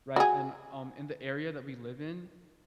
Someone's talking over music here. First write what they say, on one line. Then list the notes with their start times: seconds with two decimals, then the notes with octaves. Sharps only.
right, and, um, in the area that we live in,
0.16 F#4 G#4